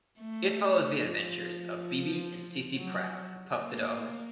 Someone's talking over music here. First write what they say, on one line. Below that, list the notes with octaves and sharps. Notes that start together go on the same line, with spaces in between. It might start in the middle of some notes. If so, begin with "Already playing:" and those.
It follows the adventures of BeBe and CeCe Proud and Puff the dog.
A3
F3
F#3
A#3